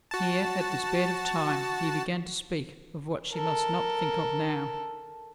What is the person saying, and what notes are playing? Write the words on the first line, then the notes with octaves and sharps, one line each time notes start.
Here, at this bed of thyme, he began to speak of what she must not think of now.
F#4 A5
A4 A#4